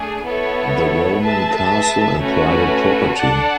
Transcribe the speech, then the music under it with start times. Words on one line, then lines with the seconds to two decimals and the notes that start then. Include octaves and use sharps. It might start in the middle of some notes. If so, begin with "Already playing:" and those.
The Roman castle and private property.
Already playing: A3 D4 G#4
0.25 B3 E4 A4 C#5
1.22 G#4 B4 E5 A5
2.19 A3 C#4 F#4 B4
3.16 D4 A4 D5 F#5 A5